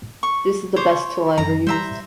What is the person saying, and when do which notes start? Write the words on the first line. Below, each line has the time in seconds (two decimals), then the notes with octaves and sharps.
This is the best tool I've ever used.
0.23 C#6
0.76 C5 C#5 D6
1.38 F#2 E3 A#5
1.67 G3 C5 E5 A#5